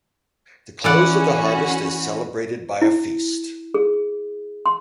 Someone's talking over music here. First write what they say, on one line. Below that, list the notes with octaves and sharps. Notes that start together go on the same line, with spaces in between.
The close of the harvest is celebrated by a feast.
E3 C#4 F#4 D5 F#5
E4
G#4
C6